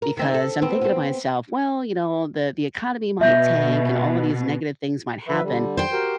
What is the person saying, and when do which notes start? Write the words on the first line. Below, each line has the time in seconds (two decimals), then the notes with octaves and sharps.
because I'm thinking to myself, "Well, you know, the the economy might tank and all of these negative things might happen
0.02 A#4
0.17 D#3 C4 D#4
0.34 A4
0.62 B3 C4
0.81 B3 C4
3.21 B2 E5 G6 A#6
5.28 F3 B4 E5
5.42 D3 G3
5.77 C5 G5
5.92 F#4 G4 A#4